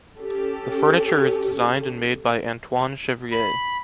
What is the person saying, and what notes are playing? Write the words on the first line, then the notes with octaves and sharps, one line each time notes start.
The furniture is designed and made by Antoine Chevrier.
C#4 G4 A4
B5